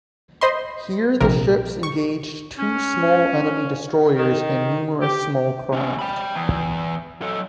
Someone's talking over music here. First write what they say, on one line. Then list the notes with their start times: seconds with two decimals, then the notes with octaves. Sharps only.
Here the ships engaged two small enemy destroyers and numerous small craft.
0.41 C5 D#5 B5 C6
1.21 A#1 C3 A#4
1.83 C#6
2.58 C#4
4.16 D#3
5.02 G4
5.73 B3 C#4
5.99 G5 B5
6.35 E2
7.22 F#3 A4